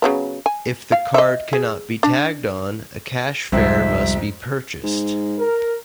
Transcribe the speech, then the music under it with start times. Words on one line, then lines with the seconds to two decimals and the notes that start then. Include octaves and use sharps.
If the card cannot be tagged on, a cash fare must be purchased.
0.02 C#3 F#3 B3
0.46 G#5
0.92 F5
1.14 D#5 E5
1.53 G#4
2.03 D4
3.52 C2 F2 G#2 G3 G#3 C4 E5
4.83 G#2
5.38 A#4